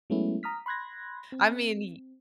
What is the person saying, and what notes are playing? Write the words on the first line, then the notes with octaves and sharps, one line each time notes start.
I mean y
F#3 G#3 A3 B3 C#4 E4
A#5 D#6 F6 B6
B5 C6 F#6 G#6 A#6
C4